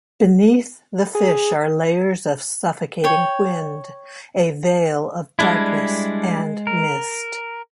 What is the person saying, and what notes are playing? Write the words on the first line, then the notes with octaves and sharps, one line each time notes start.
Beneath the fish are layers of suffocating wind, a veil of darkness, and mist.
G#4
C#5 G5
G3 G#3 D4 E4
A#4